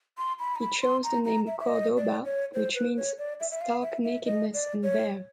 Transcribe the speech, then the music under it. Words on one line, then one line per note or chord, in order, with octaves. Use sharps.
He chose the name Cordoba which means "stark nakedness and bare".
C6
B5
A#5
B5
C6
A#5
A#5
E5
E5
D#5
D5
C#5
C5
B4
C#5
D5
E5
E5
F5
E5
E5
D#5
D5
C#5